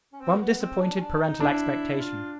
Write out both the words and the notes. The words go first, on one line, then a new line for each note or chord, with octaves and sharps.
Rum disappointed parental expectation.
C#4
C4
A#3
B3
C4
D4
C#4
D4
D#4
D4 E4
F4